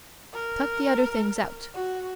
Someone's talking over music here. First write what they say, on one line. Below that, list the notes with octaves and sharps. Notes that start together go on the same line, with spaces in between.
Chuck the other things out.
A#4
F#4